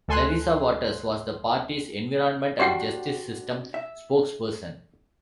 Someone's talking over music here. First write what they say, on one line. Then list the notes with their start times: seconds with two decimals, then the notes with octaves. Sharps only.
Larissa Waters was the party's environment and justice system spokesperson.
0.08 D2 A4 G#5 C6 F#6
2.59 D4 F#4 G4 C5 F#5 G5
3.74 E5